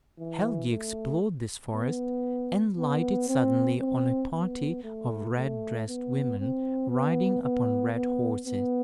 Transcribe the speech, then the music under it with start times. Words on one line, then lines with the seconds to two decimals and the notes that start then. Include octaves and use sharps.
Helgi explored this forest, and lighted suddenly on a party of red-dressed women riding upon red horses.
0.19 E3
0.71 A3
1.74 B3
2.77 B3
3.29 C4
3.81 C4
4.33 B3
4.84 A3
5.36 A3
5.88 B3
6.40 C4
6.91 B3
7.43 B3
7.95 B3
8.47 B3